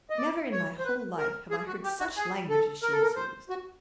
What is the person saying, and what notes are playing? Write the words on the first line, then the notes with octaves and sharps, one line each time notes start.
Never in my whole life have I heard such language as she has used.
D#5
D5
C#5
C5
B4
A#4
G#4
F#4
G4
F#4
G#4
A4
A#4
A4
A#4
C5
F#4